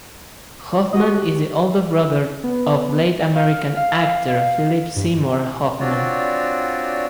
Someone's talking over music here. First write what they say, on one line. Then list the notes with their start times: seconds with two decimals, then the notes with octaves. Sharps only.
Hoffman is the older brother of late American actor Philip Seymour Hoffman.
0.93 F#4 G4 D#5
2.44 B3
3.35 F5
3.77 F5
4.28 F5
4.96 G2
5.80 C4 D4 F4 F#4 C#5 D5